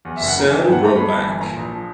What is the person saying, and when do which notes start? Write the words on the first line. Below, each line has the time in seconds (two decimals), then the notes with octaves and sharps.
Sam Brownback.
0.05 E2
0.16 F#1 E5
0.28 F#5
0.35 C#3 A#5
0.50 E3 G#5
0.61 G2 G5
0.72 F#5
0.80 A3 A#5
0.96 G2 B5
1.11 G1
1.26 E3
1.41 A#2 A#5
1.56 A#1
1.72 F3